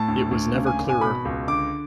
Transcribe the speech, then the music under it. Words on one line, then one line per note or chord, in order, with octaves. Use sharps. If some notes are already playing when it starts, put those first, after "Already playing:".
It was never clearer.
Already playing: A2 A5
D2
D2
C#3
G#5
G#1
G#5
B2 B5
C#2
D3 D6